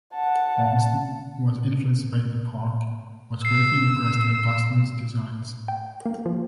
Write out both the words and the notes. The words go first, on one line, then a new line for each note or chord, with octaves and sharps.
Olmsted, who was influenced by the park, was greatly impressed by Paxton's designs.
F#5 A5
E6 C7
G5
A#3
F3